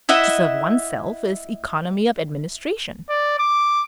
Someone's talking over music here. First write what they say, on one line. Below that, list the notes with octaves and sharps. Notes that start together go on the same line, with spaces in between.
To serve oneself is economy of administration.
E4 D#5 E5 F#5
D5
D6